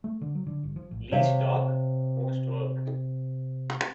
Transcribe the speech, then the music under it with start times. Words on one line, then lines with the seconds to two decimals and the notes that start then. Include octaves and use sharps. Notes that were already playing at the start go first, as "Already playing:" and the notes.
Least talk most work.
0.04 A3
0.21 D3
0.35 F#3
0.46 D3
0.63 G1
0.76 F3
0.91 A1
1.11 C3 C#5 E5 F5